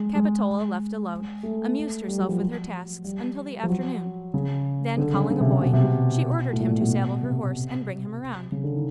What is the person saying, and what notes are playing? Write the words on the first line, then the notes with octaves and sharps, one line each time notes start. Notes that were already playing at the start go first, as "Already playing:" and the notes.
Capitola, left alone, amused herself with her tasks until the afternoon; then, calling a boy, she ordered him to saddle her horse and bring him around.
Already playing: G#3
G#3
A3
G3
F#3
F3
F#3
G3
F3
F#3
C#3
D3
C#3
C#3
C3
C3
B2
C3
B2
A2
A#2
B2
C3
C#3
D3
D#3